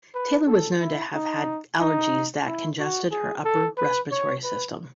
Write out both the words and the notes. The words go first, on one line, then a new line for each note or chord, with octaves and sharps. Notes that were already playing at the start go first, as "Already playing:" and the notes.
Taylor was known to have had allergies that congested her upper respiratory system.
B4
A4
E4
D#4
D#4
E4
F#4
G#4
A4
B4
C#5
B4